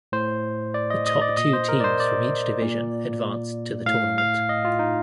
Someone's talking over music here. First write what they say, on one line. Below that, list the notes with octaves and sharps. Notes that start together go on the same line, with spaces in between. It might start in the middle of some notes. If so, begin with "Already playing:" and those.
The top two teams from each division advanced to the tournament.
A2 C5
D5
D#5
D#5
D5
A#2 D#5
C5
A#4
D5
C5
D5
A#2
A2 F5
F5
D#5
F4
D#4